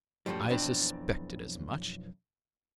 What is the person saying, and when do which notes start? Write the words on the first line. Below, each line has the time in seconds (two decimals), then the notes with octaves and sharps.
I suspected as much.
0.26 F#2 A2 C3 F3 G3
0.50 B1 F2 E3 B3 C4 D4